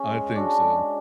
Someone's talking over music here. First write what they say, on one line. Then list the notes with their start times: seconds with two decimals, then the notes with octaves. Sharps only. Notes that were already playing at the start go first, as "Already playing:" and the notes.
I think so.
Already playing: C#4 G#4
0.10 G#3
0.36 D4 F#4 A4
0.62 G#3